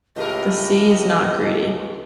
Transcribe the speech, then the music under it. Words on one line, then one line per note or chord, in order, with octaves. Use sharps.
The sea is not greedy.
C#2 A2 A3 G4 A#4 D#5